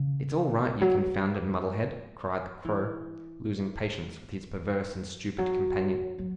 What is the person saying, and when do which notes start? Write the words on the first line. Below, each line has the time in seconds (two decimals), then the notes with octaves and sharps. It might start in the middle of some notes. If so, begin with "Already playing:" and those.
"It's all right, you confounded muddlehead!" cried the Crow, losing patience with his perverse and stupid companion.
Already playing: C#3
0.81 F#3
1.06 F#3
2.65 E3
5.38 F#3
6.18 F#3